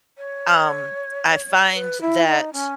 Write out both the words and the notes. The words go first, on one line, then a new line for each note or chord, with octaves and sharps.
um, I find that
C#5
B4
E4
D#4
C#4